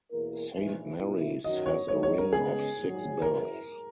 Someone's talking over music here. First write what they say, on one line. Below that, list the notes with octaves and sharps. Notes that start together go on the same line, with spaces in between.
Saint Mary's has a ring of six bells.
E2 B2 A#3 E4 A#4
A#1 G#2 E3
B1 B2 A#3 E4
F#2 D#3 F#3 D#5
C#5
G#2 F#3 B3 D#4 F#4 C#5
C#5
A#4
C#3 G#3 B3 G#4
A#1 G#2 D#3 F#3
F#1 F#2 E3 A#4